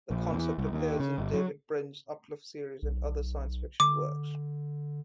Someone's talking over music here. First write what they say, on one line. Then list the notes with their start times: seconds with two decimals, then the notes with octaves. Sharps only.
The concept appears in David Brin's Uplift series and other science fiction works.
0.11 A#1
0.33 E2
0.58 C2
0.72 D#2
1.00 C#3
1.18 G1
1.34 F#3
2.82 B1
3.80 D3 D6